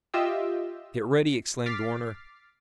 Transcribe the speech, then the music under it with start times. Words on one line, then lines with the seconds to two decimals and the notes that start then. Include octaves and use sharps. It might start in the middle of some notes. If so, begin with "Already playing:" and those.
"Get ready!" exclaimed Warner.
0.14 F4 G4 D#5 E5 G5 E6
1.66 D6 F6 A6 B6 C7